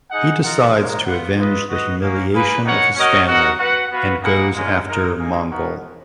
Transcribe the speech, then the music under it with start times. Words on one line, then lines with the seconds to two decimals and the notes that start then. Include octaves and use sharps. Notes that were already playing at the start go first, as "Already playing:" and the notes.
He decides to avenge the humiliation of his family and goes after Mangal.
0.11 D#4 G#4 D#5 F#5
0.42 F4 A#4 D#5 F#5
0.74 G#3 D#4 A#4
1.06 B3 F4 B4 F#5
1.37 F4 B4 D#5
1.69 F#4 B4 D#5
2.01 A#3 C#4 F#4
2.33 A#3 F4 G#4 B4
2.64 D#4 A#4 C#5 F#5
2.96 C#4 F#4 A#4 D#5 F#5
3.27 F#4 A#4 D#5 F#5
3.59 F#4 B4 F#5
3.91 B3 F#4 B4 F5
4.22 A#3 D#4 G#4 B4 F#5
4.55 G#3 C#4 F4 A#4 D#5
4.86 G#3 D#4 A#4
5.18 A#3 D#4 G#4
5.50 B3 D#4 F#4 A#4